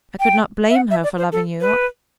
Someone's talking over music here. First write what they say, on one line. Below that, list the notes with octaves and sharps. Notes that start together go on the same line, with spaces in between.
I could not blame her for loving you.
G5
E5
F#5
E5
D5
C5
A4
B4